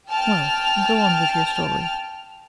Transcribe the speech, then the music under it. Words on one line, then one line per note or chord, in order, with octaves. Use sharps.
"Well, go on with your story."
G5 A5 F6